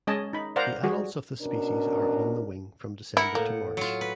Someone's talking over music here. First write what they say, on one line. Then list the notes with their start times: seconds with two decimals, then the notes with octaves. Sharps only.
The adults of this species are on the wing from December to March.
0.07 G#3 C#4 D#5 G#5 A5
0.33 D#4 B5
0.56 A#4 C5 D5 F5 F#5 A#5
0.83 G3 F#4 G#4
1.42 B2 C#4 D4 A#4
3.17 E4 A#4 F#5
3.35 A2 A#3
3.77 F#3 F4
4.01 B4